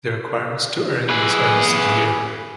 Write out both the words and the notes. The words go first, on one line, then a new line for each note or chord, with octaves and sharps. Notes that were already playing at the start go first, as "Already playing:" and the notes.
The requirements to earn these are listed here.
G#4 B4